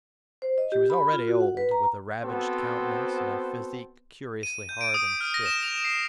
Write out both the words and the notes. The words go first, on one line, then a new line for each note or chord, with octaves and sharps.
She was already old, with a ravaged countenance and a physique curiously hard and stiff.
C5
D#5
G4
B5
F4
F#4
F#5
B4
A#5
B3 C4 F#4 A4 C5
D#7
G6
D7
D#6
F6
A#6
E7
F7
C7